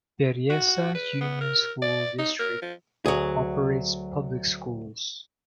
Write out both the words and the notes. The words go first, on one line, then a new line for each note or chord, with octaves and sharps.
Berryessa Union School District operates public schools.
F#4
B4
B3
A#4
D5
D#4
A#4
F3
D2 F#3 G#4